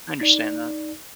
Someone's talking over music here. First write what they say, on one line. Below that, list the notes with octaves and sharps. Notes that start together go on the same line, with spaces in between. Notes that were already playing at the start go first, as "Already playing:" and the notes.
I understand that.
D#4 D5